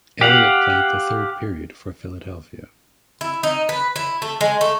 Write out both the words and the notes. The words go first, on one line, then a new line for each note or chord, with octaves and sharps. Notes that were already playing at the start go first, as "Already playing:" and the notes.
Elliott played the third period for Philadelphia.
G4 F5 F#5
E4
D#4
B4
E4
A3
G#3
A3